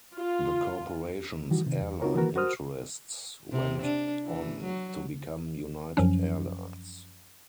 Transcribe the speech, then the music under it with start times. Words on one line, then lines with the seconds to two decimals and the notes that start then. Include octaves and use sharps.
The corporation's airline interests went on to become United Airlines.
0.17 F4
1.51 D#3 E3 G3 F#4
1.66 C3 D#3
1.81 E2
2.01 C4 D#4 F4 F#4 A#4 C#5
2.15 D#3 E3 A#3 F#4 A#4 B4
2.36 F#4 A#4 C5 D#6 F6
3.51 C3
3.82 D4
4.25 E3
4.63 F#3
5.97 F#2 F3 F#3 C#4